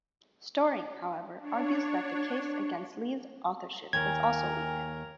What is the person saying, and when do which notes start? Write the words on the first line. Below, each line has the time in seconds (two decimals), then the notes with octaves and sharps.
Storing, however, argues that the case "against" Lee's authorship is also weak.
1.38 D4 C#5
3.93 D#2 A#4 G5 G#5 G#6